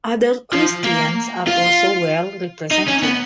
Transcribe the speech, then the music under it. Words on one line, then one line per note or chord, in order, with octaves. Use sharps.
Other Christians are also well represented.
F3
A#3
F4
D#4
C#4
B3